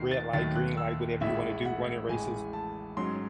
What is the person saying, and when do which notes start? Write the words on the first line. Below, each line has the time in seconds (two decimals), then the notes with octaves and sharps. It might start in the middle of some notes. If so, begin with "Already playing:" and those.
red light, green light, whatever you wanna do, running races.
Already playing: D#2 D#3 A3 C7
0.11 A6
0.33 D#2 D#3 F#3 A3 A6
0.55 F#6
0.77 E6
1.21 A1 A2 G#3 E5
1.65 F#5
2.09 A1 A2 G#3 G#5
2.53 A5
2.97 G#2 F#3 C#4 C6